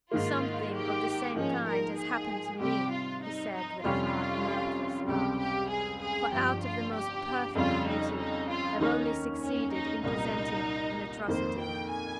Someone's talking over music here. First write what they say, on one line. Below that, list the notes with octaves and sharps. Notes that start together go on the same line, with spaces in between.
"Something of the same kind has happened to me," he said with a hard, mirthless laugh, "for out of the most perfect beauty I have only succeeded in presenting an atrocity."
G#2 D#3 A#3 F4
G4
G#2 F3 A#3 C#4 D#4
A#4
G#4
C3 G3 C4 G4
F4
D#4
D#4
F2 C3 G3 C#4 F4 G4
C#2 C3 G3 C4 G4
G4
G#4
G#4
G1 G2 F3 G4
F4
G4
F2 C#3 G3 C#4 F4
D#4
D#4
F4
D#2 D#3 A#3 C#4 D#4
C#4
D#4
C2 A#2 G3 A#3 D#4
F2 D#3 A#3 C5
G5
G#5